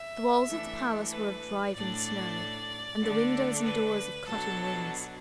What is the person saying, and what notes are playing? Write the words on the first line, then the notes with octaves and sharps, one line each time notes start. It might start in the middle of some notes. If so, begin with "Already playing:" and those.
The walls of the palace were of driving snow, and the windows and doors of cutting winds.
Already playing: E5
E3 A3 D4
B4
A2 A3 D4 D5
D3 A3 D4
B4
B2 F#3 D4 A4